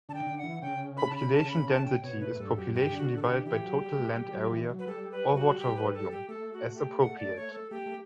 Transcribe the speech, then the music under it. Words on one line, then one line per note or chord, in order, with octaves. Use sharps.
Population density is population divided by total land area or water volume, as appropriate.
D3 A5
G5
D3
F#5
E3
C#3 G5
B5
A5
B5
A5
B5
A5
G5
B2 C#5
A2 B4
G2 A4
F#2 G4
G2 G4
D3
F#4
D3
A4
G4
D3
E3 G4
F#3
G3
A3
G3
F#3
E3
F#3
B4
G3 A4
B4
F#4
G4
B4
A4
G4
A3 A4
F#4
F#4
G4
F#5
D5
C#5
A4
A3 G4
A3